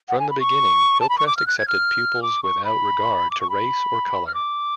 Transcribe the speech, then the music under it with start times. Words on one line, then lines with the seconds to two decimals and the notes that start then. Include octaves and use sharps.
From the beginning, Hillcrest accepted pupils without regard to race or colour.
0.09 F#5
0.20 G#5
0.30 B5
0.40 C#6
1.01 A5
1.09 B5
1.18 C#6
1.27 D6
1.37 F6
1.47 F#6
1.58 G#6
1.68 F6
2.22 D6
2.43 C#6
2.65 B5
3.31 D6
3.41 C#6
3.50 B5
4.27 F6
4.34 D6